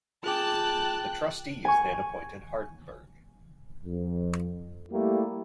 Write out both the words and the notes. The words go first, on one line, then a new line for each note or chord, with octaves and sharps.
The trustees then appointed Hardenbergh.
F4 G#4 G5 A5 D6 F#6
G#5 C#6
F2
G3 A3 A#3 E4 G4